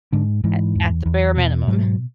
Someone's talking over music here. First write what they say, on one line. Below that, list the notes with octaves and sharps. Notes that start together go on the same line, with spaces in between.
at at the bare minimum.
G#2 D3
G#2 E3
E2
E2
B2
G#2 F#3